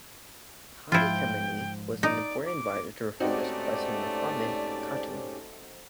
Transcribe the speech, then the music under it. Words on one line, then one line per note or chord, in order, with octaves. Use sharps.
Hadi Khamenei was an important adviser to reformist President Mohammad Khatami.
G#2 F3 E4 F4 C5 G5
D#4 D5
D6
G#2 A3 C4 C#4 D#4 F#4 G4 D5